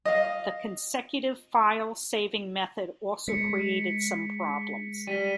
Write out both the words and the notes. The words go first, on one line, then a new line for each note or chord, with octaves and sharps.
The consecutive file saving method also created some problems.
D#5 F5
G#3 B6 C#7
G3 B6 D#7